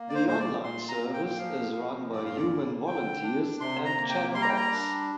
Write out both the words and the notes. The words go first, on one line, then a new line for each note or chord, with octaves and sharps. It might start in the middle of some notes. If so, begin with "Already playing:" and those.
The online service is run by human volunteers and chatbots.
Already playing: A#3
D5
C5
A#2 C5
D5
A#2 C6
A#5
A#3
G5
G5
F3 F5
A#2
G2 D5
F5
D5
A#3
D3 G5
D4
C3 C6
A#5
A#3
G5
G3 C6
A#5
G5
A#5
D4